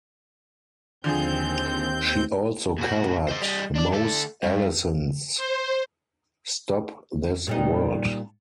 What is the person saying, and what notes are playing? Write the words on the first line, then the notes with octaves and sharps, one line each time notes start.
She also covered Mose Allison's "Stop This World".
D#2 D3 F3 C4 G#4 G6
A#2 F#4
C5 D#5
G3 D#5
D4 D5
D2 A4
G2
C5
A#2 G3 D#4